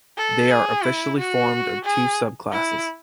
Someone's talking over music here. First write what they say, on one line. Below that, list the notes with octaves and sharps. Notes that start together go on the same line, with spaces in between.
They are officially formed of two subclasses.
A4
G#4
E4
F#4
G#4
E4